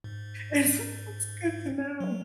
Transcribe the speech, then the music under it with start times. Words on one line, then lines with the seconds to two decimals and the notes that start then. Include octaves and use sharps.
It's so it's good to know.
0.04 G#2
2.00 F#3